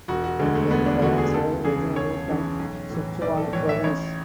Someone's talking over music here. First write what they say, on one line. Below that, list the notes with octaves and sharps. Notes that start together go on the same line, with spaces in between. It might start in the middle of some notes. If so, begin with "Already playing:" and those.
Her parents were originally from Sichuan Province.
E1 F#4
F#4
D2 D3 G#3
A3
E1 B3
D4
D2 D3 F#4
G#4
C#2 A4
C#3 E3 G#4
C#2 C#5
C#3 E3
B1
A2 E3
B1 D5
A4
A2 E3 C#5
E5
A1 C#5